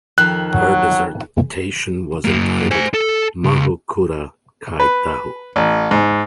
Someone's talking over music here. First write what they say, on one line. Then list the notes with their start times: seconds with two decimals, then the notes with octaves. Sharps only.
Her dissertation was entitled "Mahu Kura Kai Tahu".
0.18 F2 D#3 F#6
0.54 F#3
2.25 F#2 A#3
2.71 C5 G#5
2.94 A4
3.44 C#2
4.80 B4
5.56 A1
5.91 G#2